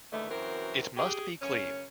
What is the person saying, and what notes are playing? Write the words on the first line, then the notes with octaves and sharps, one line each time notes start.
It must be clean!
D#2 D3 E3 G#3 A3
F#2 E3 C4 F#4 A#4
G4 G#4
F#2 C#3 C#4